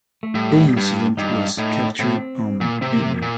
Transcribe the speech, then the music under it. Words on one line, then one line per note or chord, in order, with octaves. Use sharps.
The incident was captured on video.
A3
A2 G3
G2
G2 D#4
A2 D#4
A2 C4
A#2
C3 C4
A#3
A3
A#3
A#2